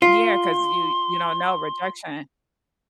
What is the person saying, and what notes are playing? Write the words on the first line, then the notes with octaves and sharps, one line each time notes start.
Yeah, 'cause you you don't know, rejection.
F4 C6